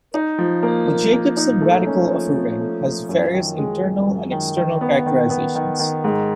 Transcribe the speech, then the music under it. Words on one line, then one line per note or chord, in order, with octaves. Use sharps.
The Jacobson radical of a ring has various internal and external characterizations.
D#4
F3
A#3
A#3
A#3
D#4
A3
C#4
F3
F3
A3
F3
F#2
D#3
G#3
G#3
F#2
D#3
D#3
B3
D#3
B3
D#3
D#3
G#2